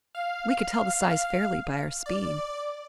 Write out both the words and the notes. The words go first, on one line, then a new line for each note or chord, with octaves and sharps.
We could tell the size fairly by our speed.
F5
D5